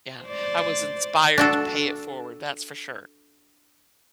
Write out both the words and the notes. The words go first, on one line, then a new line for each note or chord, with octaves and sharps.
Yeah, I was inspired to pay it forward, that's for sure.
C5 D5
D4 F#4 A4